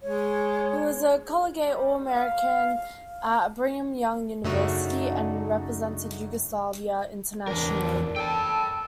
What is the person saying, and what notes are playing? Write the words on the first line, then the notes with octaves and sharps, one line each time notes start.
He was a collegiate All-American at Brigham Young University and represented Yugoslavia internationally.
G#3 C#5
G3
F5
F#2 C#3 A3 D4 D#4 F#4
E2 D4 A#4
A4 G5 A5